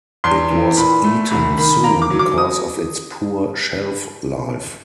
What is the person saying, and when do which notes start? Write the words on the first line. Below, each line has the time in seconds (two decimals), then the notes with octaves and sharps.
It was eaten soon because of its poor shelf life.
0.24 E2 C6
0.50 E3
0.77 A#2 B5
1.04 A3
1.30 C2 B5
1.58 D#3 B5
1.83 A#3 A#5
2.02 D6
2.10 F#3
2.19 D6
2.38 D#6